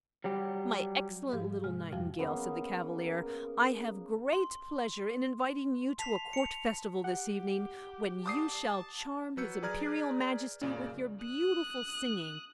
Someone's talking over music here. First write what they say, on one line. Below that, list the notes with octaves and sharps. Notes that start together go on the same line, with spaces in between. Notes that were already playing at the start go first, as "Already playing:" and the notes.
"My excellent little Nightingale," said the Cavalier, "I have great pleasure in inviting you to a court festival this evening, when you shall charm his Imperial Majesty with your beautiful singing."
F#3 G3 G4
G#2 F3 G4
C3 G#3 F6
F2 F3 G3 F#4
C#3 A#3 B3 A#4
C6
A5 B6 C7 F7
C#7 F7
G4 F#5
A5 D6 D#6 C7
F#3 B4 E6 G6 C#7
G#4 B4 D5 A#5 F6 G#6
F#2 A#2 C#3 D5
D#6 F#6